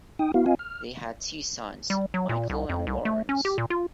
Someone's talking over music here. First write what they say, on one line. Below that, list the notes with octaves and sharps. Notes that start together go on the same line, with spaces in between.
They had two sons, Michael and Lawrence.
D#4 G5 D#6
B3 E4 F#4 F5
C4 F4 D#5 F5 G#5
F6
G3
F#3
A#2
C2
F2
C2
A3
C#4
G4
A#2
F4